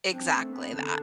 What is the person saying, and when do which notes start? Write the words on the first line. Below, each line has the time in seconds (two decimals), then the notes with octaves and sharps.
Exactly that.
0.13 C4 D4
0.33 B3
0.36 A3
0.53 B3
0.73 D3 D4